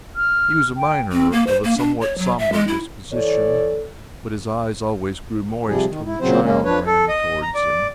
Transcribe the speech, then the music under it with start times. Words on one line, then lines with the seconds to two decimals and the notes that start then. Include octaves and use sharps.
He was a miner of a somewhat sombre disposition, but his eyes always grew moist when the child ran towards him.
0.16 F6
0.77 G5
1.12 C4
1.32 A#3
1.47 C5
1.64 A#3
1.78 D4
2.01 C#5
2.18 F#3
2.39 E5
2.53 G#3
2.67 E4
3.11 E3 A4 C#5 D5
5.67 C3 F3 G3 G#4
5.88 D#3
6.05 E4
6.21 A#2 C#3 F#3 C4 C5
6.42 C#3 G#3 A#3 C#4
6.65 F3 D4 B4 C#5
6.85 A4
7.08 D#5
7.42 A#5
7.55 D5